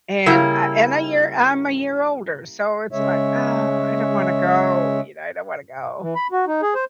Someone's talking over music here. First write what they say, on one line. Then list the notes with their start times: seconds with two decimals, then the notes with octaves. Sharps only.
And I in a year I'm a year older, so it's, like, "Oh, I don't wanna go," you know, "I don't wanna go."
0.26 C#3 G3 A#3 E4
2.91 C#3 G#3 C#5 E5
6.02 E3
6.15 B5
6.32 F#4
6.47 D#4
6.62 G#4
6.75 C5